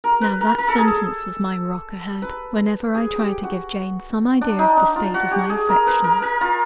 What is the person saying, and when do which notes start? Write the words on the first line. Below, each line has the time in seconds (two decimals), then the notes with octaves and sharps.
Now that sentence was my rock ahead, whenever I tried to give Jane some idea of the state of my affections.
0.04 A#4
0.21 B4
0.41 A#4
0.58 A#4
0.68 A4
0.78 G#4
0.88 A4
2.22 B4
2.95 G#4
3.19 G4
3.43 F#4
4.41 D4
4.59 D#4
4.77 D4
4.96 F4
5.14 F#4
5.31 G4
5.50 G#4
5.69 A#4
5.87 B4
6.04 A#4
6.22 A#4
6.41 F4